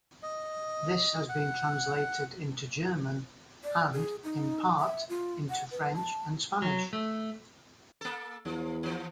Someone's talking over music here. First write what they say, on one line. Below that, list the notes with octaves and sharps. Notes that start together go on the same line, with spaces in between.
This has been translated into German and, in part, into French and Spanish.
D#5
F#5
D5
G#4
D#4
E5
F4
F#5
B4
A5
F#3
A3
A#3 A4
E2 F3
E3 F3